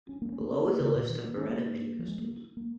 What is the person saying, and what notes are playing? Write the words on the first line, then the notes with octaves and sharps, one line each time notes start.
Below is the list of Beretta Mini Pistols.
C#4
A#3
C#4
A#3
C#4
A#3
C#3
A#2
D#3
A#3
C#4
A#3
F3
G#3
A#3
A#3